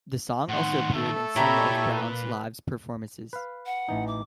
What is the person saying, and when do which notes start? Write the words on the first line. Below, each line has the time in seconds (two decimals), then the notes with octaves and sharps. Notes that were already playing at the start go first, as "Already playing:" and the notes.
The song also appeared in some of Brown's live performances.
0.48 A2 D#3 F#5 C6
0.93 A3 A4
1.36 A#2 E4 G4 C#5 E5 A#5 B5
1.95 B4
3.33 B4 F5
3.66 F#5
3.89 A1 E3 D#4
4.07 D6